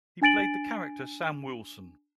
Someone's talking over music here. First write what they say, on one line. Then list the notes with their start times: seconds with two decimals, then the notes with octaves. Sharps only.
He played the character Sam Wilson.
0.22 D4 G#5 A6 D7 F#7